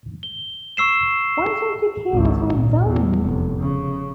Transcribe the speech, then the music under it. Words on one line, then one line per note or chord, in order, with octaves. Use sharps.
Why don't you care what I've done?
G7
C#6 E6 C7 E7
G#1 C#2
A#2
E2
F1
C#3